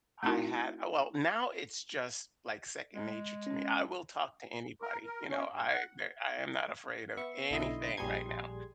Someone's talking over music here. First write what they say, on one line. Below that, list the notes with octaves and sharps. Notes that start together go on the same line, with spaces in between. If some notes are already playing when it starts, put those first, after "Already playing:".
I had well, now it's just, like, second nature to me, I will talk to anybody, you know, I der I am not afraid of anything right now.
A3 C4 D#4 E4 F#4 A#4
G#3
C#4
A#4
A#4
C#4
G2
F#5
B3 E5 C#6
B1 D3 E4 D#5 C6
A#1 G3 G#4 G#5 C6 G#6